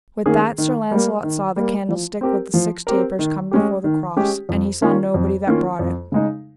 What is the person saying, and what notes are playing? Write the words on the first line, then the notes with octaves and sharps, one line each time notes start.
With that Sir Launcelot saw the candlestick with the six tapers come before the cross, and he saw nobody that brought it.
D#3 A#3 C#4 G#4
D#3
G3 A#3
D#3
G3 A#3
F3
C4 G4 A#4
F3
C4 G4 A#4
D#3
G#3 C#4 G4
D#3
G#3 C#4 G4
F2
D#3 A#3 C#4 F4
F2
D#3 A#3 C#4 F4
F2
C#3 G#3 D#4